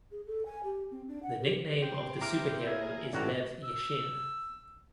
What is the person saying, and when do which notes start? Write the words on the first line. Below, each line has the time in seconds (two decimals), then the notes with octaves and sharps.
The nickname of the superhero is Lev Yashin.
0.11 G#4
0.26 A4
0.46 G#5
0.64 G4
0.91 C4
1.08 D4
1.23 F#5
1.41 G4
1.82 C4 G4
2.21 E4 A#5 D6 F6
2.67 A#3 G#4 E5
3.13 A1 D4 E4 F#4 A#5
3.64 E6